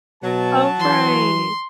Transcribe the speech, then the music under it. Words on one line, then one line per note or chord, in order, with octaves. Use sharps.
Oh, right.
B2 F#3 A5
E3 C6